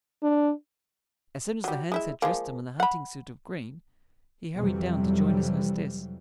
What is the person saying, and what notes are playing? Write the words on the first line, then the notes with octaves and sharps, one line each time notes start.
As soon as the hands had dressed him in a hunting-suit of green, he hurried down to join his hostess.
D4
F#3 G3
G#3 E4 E5
F3 G#3 A#3
F#5 B5
F2 C3 E3 F#3 G3